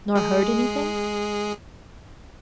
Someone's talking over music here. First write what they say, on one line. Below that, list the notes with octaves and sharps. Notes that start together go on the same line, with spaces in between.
"Nor heard anything?"
G#3 G#4